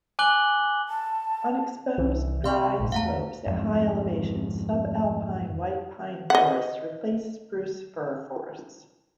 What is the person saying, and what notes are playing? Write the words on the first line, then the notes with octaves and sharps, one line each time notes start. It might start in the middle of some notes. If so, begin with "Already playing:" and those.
On exposed, dry slopes at high elevations, subalpine white pine forests replace spruce-fir forests.
G#5 D6 F#6 F#7 G7
A5
C2 E3
C3 F5 C6 C#6
A#1 G#2
E2 A3 F5 F#5 A#5
F2 G#2
D#5 F#5